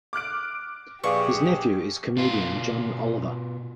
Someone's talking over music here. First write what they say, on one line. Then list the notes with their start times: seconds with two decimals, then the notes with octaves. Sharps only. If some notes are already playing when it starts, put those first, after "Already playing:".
His nephew is comedian John Oliver.
0.13 D6 F6 F#6 D7
1.04 A#1 G4 G#4 B4 D5 F5 C#6 D6
2.17 B2 F4